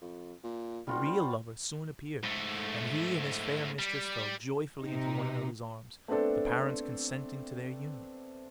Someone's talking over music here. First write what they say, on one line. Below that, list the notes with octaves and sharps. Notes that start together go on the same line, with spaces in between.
The real lover soon appeared, and he and his fair mistress fell joyfully into one another's arms, the parents consenting to their union.
F2
A#2
F#1 G3 F4 F#4
C5
G#2 A3
G3
C3 D#4
A3 B3 C4 D4 A4